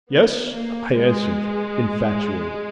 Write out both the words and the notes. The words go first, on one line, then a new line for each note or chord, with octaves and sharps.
"Yes," I answered, infatuated.
B3
A#3
G#3